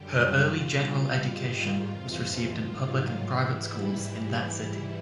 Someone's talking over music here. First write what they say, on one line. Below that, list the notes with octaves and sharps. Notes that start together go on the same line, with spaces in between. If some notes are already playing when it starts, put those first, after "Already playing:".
Her early general education was received in public and private schools in that city.
Already playing: F#2 D3 G3 G4
F4
B2 G3 F4
G#2 D#3 G3
F2 C3 E3 F4
G#2 D#3 F#3
G#2 E3 G3 E4